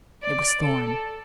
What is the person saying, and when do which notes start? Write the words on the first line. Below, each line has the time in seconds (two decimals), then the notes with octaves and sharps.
It was Thorn.
0.23 D5
0.61 A4